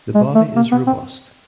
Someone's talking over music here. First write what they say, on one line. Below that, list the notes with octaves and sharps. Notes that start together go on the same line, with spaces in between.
The body is robust.
G#3
A3
A#3
B3
C4